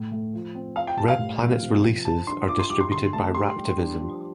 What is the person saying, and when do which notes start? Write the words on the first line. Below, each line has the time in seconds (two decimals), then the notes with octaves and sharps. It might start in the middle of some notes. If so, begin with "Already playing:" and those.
Red Planet's releases are distributed by Raptivism.
Already playing: A2 A3
0.12 A3
0.34 F3
0.55 C4
0.76 F4 F5
0.87 G5
0.98 G3 A5
1.08 F5
1.19 A2
1.41 F3
1.63 C3
1.83 F3
2.05 F3 A5
2.27 D4 C6
2.49 F4 D6
2.59 C6
2.70 G3 D6
2.81 C6
2.92 D3 C6
3.13 A3 A5
3.35 G4 C6
3.56 G3
3.78 D4
3.99 F3